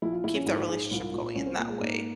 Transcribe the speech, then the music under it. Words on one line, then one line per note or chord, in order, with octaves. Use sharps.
keep the relationship going in that way,
A#1 E4
F4
A#1 E4
C#4
G#2 E4
F4
G#2 G#4
C2 F4
A#2
C2 C#4
C4
A#2 A#3
G#3
G#2 A#3